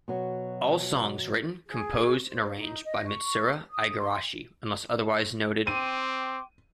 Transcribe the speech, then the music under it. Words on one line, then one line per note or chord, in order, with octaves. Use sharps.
All songs written, composed and arranged by Mitsuru Igarashi, unless otherwise noted.
B2 F#3
G#4
C5
D#4
D#5
C#6
D#6
C6
C4 G5 C6 D6 D#7